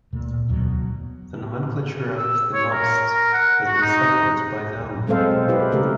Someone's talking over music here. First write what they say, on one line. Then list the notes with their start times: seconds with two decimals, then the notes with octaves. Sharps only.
The nomenclature of the masts has been settled by the owner.
0.13 D1 A#2 A3
0.48 E1 D2 B2 F#3
2.17 E6
2.54 C#5
2.72 A#4
3.09 A#4
3.33 F#5
3.67 F#4
3.81 D#4
5.07 F#3 G#3 C4 A4 C5 F5
5.31 B2
5.48 E4 G4 B4
5.71 C#3 A3 G4 A#4